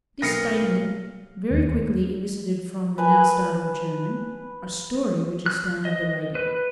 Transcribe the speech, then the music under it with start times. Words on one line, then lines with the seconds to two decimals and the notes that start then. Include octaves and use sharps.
This statement very quickly elicited from the now startled German a story which astounded the lady.
0.22 B1 A#3 B4 D#5 F5 A#6 C#7
1.51 D#2
2.98 B4 G#5 A5
5.46 F#6
5.85 D#5
6.35 B4